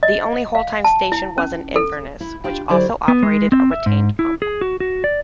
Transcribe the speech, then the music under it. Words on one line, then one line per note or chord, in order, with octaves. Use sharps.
The only wholetime station was in Inverness, which also operated a retained pump.
D#5
F5
A5
E4
C#4
A4
E4
D4 F4 G4 G5
D3 F#3 E4 G4 C5 D5
B3
G#3
C4
E5
G#2
E4
G#4
F#4
F#4
D5